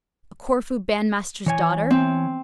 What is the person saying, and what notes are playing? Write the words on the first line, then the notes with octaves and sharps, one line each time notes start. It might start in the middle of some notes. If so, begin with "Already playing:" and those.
A Corfu bandmaster's daughter!
E3 C#5 G#5
C4